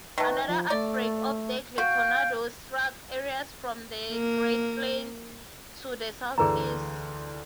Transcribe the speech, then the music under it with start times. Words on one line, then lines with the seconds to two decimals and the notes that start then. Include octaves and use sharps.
Another outbreak of deadly tornadoes struck areas from the Great Plains to the Southeast.
0.18 D#3 A3 B4
0.47 F3
0.70 A3 D5
1.78 F#4 F5 G5
4.12 A#3
6.38 D2 D3 E3 G#4 B4 A#5